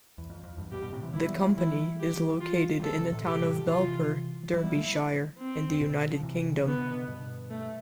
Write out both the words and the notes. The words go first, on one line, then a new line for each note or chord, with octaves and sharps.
The company is located in the town of Belper, Derbyshire, in the United Kingdom.
E2
F2
F2
E2 G2
G2 B2 G4
G2 B2
A2 C3
C3 E3
E3 G3 E4
G3 B3
F3 A3
E3 G3 E4
G4
F4
G3
D3 F3 A4
C3 E3
A2 C3
A2 C3 G4
G3
F3
C3 E3 F4
E3 G3 E4
G3 B3
F3 A3
C4
B2 D3
F3
C3 E3
D3 B3
C3
B2 D3
G2 B2
A3